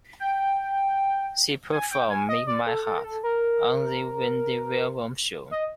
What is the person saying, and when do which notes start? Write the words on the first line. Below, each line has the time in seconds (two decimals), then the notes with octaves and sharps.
She performed "Make My Heart" on "The Wendy Williams Show".
0.20 G5
1.71 G#5
1.91 G5
2.10 G#5
2.29 D#5
2.47 D5
2.67 A4
2.86 A4
2.98 A#4
3.04 A4
3.23 A#4
5.51 D#5